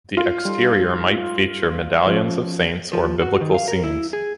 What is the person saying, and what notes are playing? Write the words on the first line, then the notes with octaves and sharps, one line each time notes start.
The exterior might feature medallions of saints or Biblical scenes.
F4
G3 D#4 A4
F3 C#4
F3
F#4
D#3
F5
A#4
E4
G#4